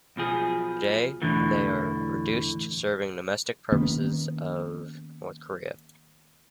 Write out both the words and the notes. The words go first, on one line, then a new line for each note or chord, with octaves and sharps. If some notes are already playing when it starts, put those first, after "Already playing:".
Today, they are reduced to serving domestic purposes of North Korea.
B1 B2 F3 G#4
B1 E2 A2 D3 E3
D#3 A#3 B3 C#4